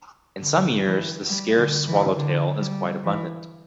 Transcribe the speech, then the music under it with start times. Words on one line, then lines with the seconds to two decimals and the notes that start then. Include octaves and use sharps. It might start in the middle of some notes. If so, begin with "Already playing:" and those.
In some years the scarce swallowtail is quite abundant.
0.41 D3
0.86 E3
1.29 G3
1.58 D3
1.87 E3
2.16 D3
2.60 G3
3.04 E3